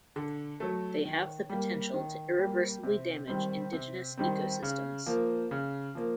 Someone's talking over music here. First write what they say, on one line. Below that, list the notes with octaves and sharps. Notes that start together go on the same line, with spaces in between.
They have the potential to irreversibly damage indigenous ecosystems.
D3
F#3 A3
D#3
G3 A#3
D#3
G3 A#3
C3
D#3 G3 C4
C3
D#3 G3 C4
C#3
F3 A#3
C#3
F3 A#3